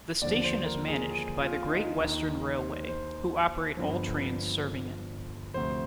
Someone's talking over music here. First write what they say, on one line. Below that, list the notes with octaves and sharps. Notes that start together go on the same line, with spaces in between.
The station is managed by Great Western Railway, who operate all trains serving it.
D#2 D3 F3 D5
C5
A#4
G#4
G#4
F4
D#4
D#2 D#3 D#4
C5
C5
G1 G2 D3 F3
D2 C3 F3 C5